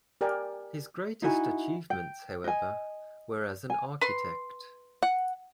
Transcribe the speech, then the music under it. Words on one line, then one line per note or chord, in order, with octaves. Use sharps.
His greatest achievements, however, were as an architect.
G4 A#4 D5 G5 G#5
D#4 E4 F#4 G#5
G5
D#5 G#5
G#5
B4 C6
F#5